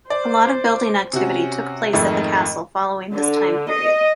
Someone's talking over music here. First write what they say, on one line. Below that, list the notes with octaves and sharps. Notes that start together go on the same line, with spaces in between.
A lot of building activity took place at the castle following this time period.
C5 D5
C3 C#4 F#4
F2 G#2 D#3 A3
D3
D#5